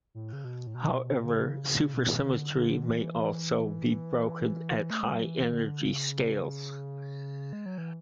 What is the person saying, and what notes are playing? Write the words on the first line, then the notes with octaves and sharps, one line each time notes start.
However, supersymmetry may also be broken at high energy scales.
A2
C#3
B2
A2
B2
B2
D3
C#3
C#3
C#3
B2
D3
D3
E3
E3
A3
G#3
F#3
E3
D3
C#3
G#3
F#3
E3